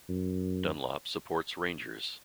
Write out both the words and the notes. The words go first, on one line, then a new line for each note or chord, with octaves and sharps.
Dunlop supports Rangers.
F#2